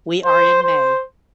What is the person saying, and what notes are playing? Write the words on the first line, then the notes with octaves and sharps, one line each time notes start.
We are in May.
C5
C5